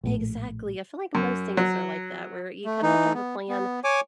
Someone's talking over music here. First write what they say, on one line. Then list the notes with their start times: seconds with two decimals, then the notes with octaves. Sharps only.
Exactly. I feel like most things are like that, where you kinda have to have a plan
0.04 A#1 A2
1.15 F#2
1.57 F#3
2.65 A3
2.83 E3 D#4
3.14 B3
3.49 B3
3.84 C#5 G#5 D6